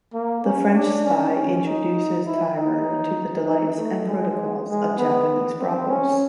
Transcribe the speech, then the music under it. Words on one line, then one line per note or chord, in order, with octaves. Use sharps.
The French spy introduces Tyrer to the delights and protocols of Japanese brothels.
A#3
C#4
D4
C#4
C#4
D#4
E4
D#4
D#4
A3
G#3
G#3
B3
C4
C#4